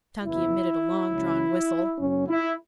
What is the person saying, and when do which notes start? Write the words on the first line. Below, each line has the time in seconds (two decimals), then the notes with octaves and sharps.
Chunky emitted a long-drawn whistle.
0.23 F#1 E2 E3 B3 E4
1.11 C#2 C#3 F#3 C#4
1.99 F#1 F#2 F#3 C#4
2.28 E4